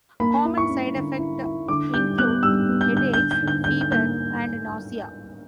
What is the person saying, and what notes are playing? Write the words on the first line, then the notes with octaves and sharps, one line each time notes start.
Common side effects include headaches, fever, and nausea.
A#3 B5
E4
C#6
C#4
D3
E4
E4
D3 D6
G3 G6
B3 F#6
G3 E6
B3
G6
D3 G6
G6
D3
G6
D3 G6
D3 G6
G6
A#3 G6